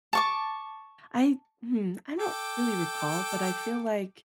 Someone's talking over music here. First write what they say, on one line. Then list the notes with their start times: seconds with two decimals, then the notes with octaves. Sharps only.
I hmm, I don't really recall, but I feel like
0.13 A5 C#6 D6
2.19 A4 G5 D6